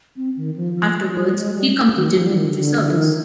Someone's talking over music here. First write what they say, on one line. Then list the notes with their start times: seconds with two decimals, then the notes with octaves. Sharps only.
Afterwards, he completed military service.
0.16 C4
0.37 D#3
0.56 F3
0.76 F3
0.96 G3
1.17 G3
1.37 G#3
1.57 G3
1.96 D#3
2.11 G3
2.17 F3
2.26 G3
2.37 D#3
2.47 D3
2.58 D3
2.78 D3
2.91 F3
2.97 D#3